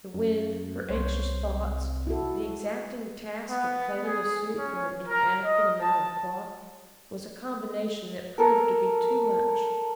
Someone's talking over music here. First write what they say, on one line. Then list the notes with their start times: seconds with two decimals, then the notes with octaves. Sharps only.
The wind, her anxious thoughts, the exacting task of cutting a suit from an inadequate amount of cloth, was a combination that proved to be too much.
0.14 F#2
0.90 C2 C5 C#5
2.07 E4 F#4 A4
3.50 B3
4.04 G#4
4.58 C#4
5.08 A#4
5.44 D#5
5.81 A5
8.38 A4 A#4